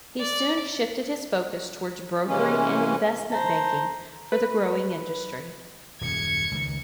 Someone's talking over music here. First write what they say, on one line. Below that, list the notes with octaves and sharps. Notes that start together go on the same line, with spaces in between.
He soon shifted his focus towards brokering and investment banking for the growing industry.
D5
C3 E3 G#3 A#3 C#4
C5 A5 A#5
B4
D#1 F#2 G#6 C#7
C#2 D#3